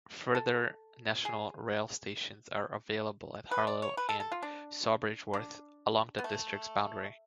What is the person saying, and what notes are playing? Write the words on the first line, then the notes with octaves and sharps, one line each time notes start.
Further National Rail stations are available at Harlow, and Sawbridgeworth, along the District's boundary.
A4
G#4
B4
D5
C#5
B4
A4
A4
F4
D4
D4
B3
A3